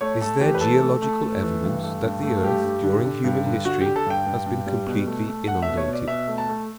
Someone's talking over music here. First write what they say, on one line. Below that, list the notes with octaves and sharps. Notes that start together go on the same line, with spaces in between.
Is there geological evidence that the earth, during human history, has been completely inundated?
A3 C#5
A3 A4
E3 G4
B4
A3 A4
A3
A3
A3
E3
G2
A3
G2
A3
G2 G4
G2
D3
D3
G2
D3
D3 F#4
G4
D3
A4
G2 G5
G2
G2
G3
B2
A3
A3
A3 F#5
E5
B2
C#5
B2
D5
B2 E5
A3
A5
A3